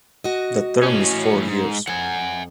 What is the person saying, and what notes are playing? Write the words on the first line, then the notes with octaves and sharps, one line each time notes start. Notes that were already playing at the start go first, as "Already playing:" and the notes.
The term is four years.
F#4 D#5
A2 C#4
G#2
F2 F#5 G#5